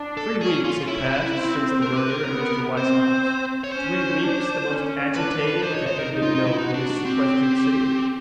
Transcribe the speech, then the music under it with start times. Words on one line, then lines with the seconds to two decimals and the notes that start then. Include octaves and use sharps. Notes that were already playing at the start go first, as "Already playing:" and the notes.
Three weeks had passed since the murder at Mr. Weishaupt's--three weeks the most agitated that had been known in this sequestered city.
Already playing: D4
0.17 A4
0.40 C#4 G#4
0.64 F4
0.88 E4
1.35 C4
1.82 A#4
1.96 B4
2.10 A#4
2.30 B3
2.77 C4 C5
3.64 C#5
3.72 C#4 C5
4.20 D4
4.68 C#4
5.15 D4 B4
5.31 B4
5.47 B4
5.63 D#4 C5
5.74 C#5
5.87 C5
5.99 A#4
6.10 D#4
6.23 F4
6.35 F4
6.47 E4
6.58 D#4 F#4
6.74 D4
6.90 D4
7.05 C4 G4